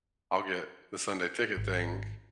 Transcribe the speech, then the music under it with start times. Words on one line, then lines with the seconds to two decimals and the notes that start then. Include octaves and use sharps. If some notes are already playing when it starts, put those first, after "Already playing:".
I'll get the Sunday ticket thing,
1.57 G#1